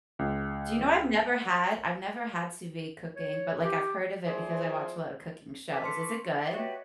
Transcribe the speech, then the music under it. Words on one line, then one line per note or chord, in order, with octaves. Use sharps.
Do you know I've never had I've never had sous vide cooking, but, like, I've heard of it because I watch a lotta cooking shows, is it good?
C#2
C#5
G4
F3 E4 G#4 C5 D5
A4 B4 D6
C6 F6 C#7
C#6
D5 D#5 B5
F#4 G4 B4 C#5 D#5 E5